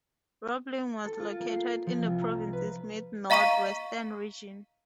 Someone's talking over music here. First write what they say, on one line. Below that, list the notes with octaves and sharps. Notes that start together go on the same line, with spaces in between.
Roblin was located in the province's mid-northwestern region.
A4
F4
A#3
C7
F3
C2
A#5
B4
D#5 F5 A#5 C#6 B6 D#7